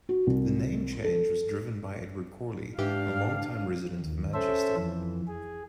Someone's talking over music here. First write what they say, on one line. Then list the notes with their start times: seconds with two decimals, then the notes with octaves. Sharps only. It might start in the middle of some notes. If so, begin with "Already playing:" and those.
The name change was driven by Edward Corley, a longtime resident of Manchester.
0.09 F#4
0.27 C2
1.04 A4
2.78 G#2 E3 D4 G4 F5
4.00 D#2
4.34 C#4 A4 C5 E5
4.77 F2 E3
5.28 G#4